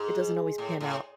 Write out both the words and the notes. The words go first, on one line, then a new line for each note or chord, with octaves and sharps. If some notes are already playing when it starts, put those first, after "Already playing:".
it doesn't always pan out
Already playing: G#2
A2
A2